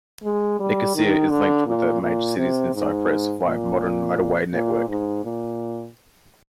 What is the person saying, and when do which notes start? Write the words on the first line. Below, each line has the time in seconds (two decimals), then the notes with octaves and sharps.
Nicosia is linked with other major cities in Cyprus via a modern motorway network.
0.24 G#3
0.60 G3
0.96 D#3
1.31 D3
1.67 A#2
2.02 A#2
2.38 C3
2.74 G#2
3.45 A#2
4.52 A#2
4.88 G#2
5.25 A#2